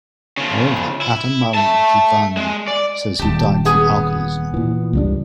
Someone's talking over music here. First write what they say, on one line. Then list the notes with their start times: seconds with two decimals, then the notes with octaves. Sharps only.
However, Ata-Malik Juvayni says he died from alcoholism.
0.37 C#3 F3
1.01 E4
1.54 E5 A5
2.37 G#3
2.68 D5
3.19 D#1 G#1 G4 A5
3.65 B3 G#4
4.54 A#2 E3
4.93 C#2 G2 D4